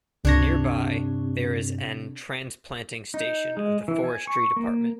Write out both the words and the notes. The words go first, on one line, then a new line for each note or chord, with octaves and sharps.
Nearby, there is an transplanting station of the Forestry Department.
C#2 G2 C3 D4 C#5 A#6
D#4
G#3
E3
G#5
C#6
A#3